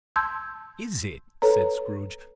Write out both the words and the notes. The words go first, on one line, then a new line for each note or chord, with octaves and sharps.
"Is it?" said Scrooge.
A5 C6 E6 G6 G#6
A4 B4 C#5 A#5